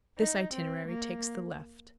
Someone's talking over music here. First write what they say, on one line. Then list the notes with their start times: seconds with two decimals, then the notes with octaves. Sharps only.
This itinerary takes the left.
0.19 D#4
0.54 C4
0.88 A#3